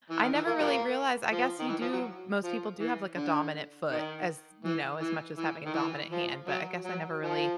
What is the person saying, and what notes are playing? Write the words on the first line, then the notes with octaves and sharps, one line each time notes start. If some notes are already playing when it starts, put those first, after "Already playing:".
I never really realized I guess you do most people do have, like, a dominant foot as, you know, as much as having a dominant hand, but I guess I never really,
E3
D#3
E3
A#3
F3 G3 A#3
F3
D#3
E3
F3
F#3
F3
E3
D3
D#3
E3
E3
E3
D#3
E3
F3
F#3
F#3
F3